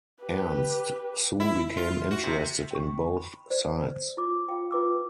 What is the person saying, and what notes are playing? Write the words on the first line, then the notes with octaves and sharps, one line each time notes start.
Ernst soon became interested in both sides.
G4 B4
E4
F4
F#4
C3
G5 C#6
B5
C5 D5
F4 D6
F4 F5 G5
F4 B4 D6 E6